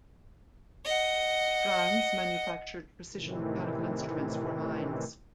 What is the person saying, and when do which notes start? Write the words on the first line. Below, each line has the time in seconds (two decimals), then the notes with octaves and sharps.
Franz manufactured precision mechanical instruments for mines.
0.85 D#5 F#5
3.12 A2 C3 D#3 E3